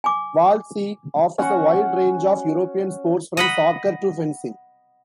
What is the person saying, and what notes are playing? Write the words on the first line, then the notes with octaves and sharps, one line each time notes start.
Waldsee offers a wide range of European sports from soccer to fencing.
G#5 D6
C#4 F#4 F#5 C#6
D#5 F#5 B5